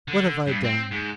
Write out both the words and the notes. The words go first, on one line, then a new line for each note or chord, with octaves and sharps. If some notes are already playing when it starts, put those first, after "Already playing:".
What have I done?
D3
G2
C4
G#2